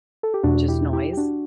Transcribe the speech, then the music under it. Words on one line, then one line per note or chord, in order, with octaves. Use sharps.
just, noise,
A4
G4
E2 B2 A3 D4 F#4
E4 G4
E4 G4
G4
D4 F#4